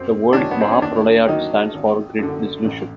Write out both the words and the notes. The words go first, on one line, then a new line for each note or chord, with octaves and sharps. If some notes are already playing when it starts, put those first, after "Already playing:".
The word Mahapralaya stands for "Great Dissolution".
Already playing: F#2 C4
D4
D#3 F#3 C#4
B3
C4
C#4
D#2 D4
D#3 F#3 D#4
G#1
F#2 D3
A1